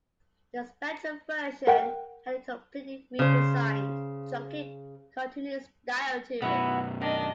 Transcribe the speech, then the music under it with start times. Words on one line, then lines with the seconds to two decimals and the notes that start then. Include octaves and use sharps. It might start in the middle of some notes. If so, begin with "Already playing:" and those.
The Spectrum version had a completely redesigned, chunky, cartoony style to it.
1.67 A#4 F#5 G5
3.19 C#3 C5
6.42 F#2 B2 B3 E4 F#4
7.01 D#3 D4 D#5